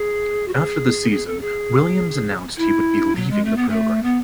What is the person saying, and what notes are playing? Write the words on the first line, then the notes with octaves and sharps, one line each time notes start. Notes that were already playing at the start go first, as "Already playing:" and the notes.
After the season Williams announced he would be leaving the program.
Already playing: G#4
F#4
G#4
G#4
A4
G#4
E4
F#3
G#3
A3
B3
A3
B3